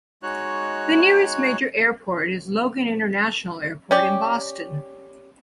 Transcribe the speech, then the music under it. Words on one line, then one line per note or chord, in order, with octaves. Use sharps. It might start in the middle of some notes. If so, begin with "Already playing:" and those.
The nearest major airport is Logan International Airport in Boston.
G#3 D#4 F#4 C#5 F#6
C#4 G4 D5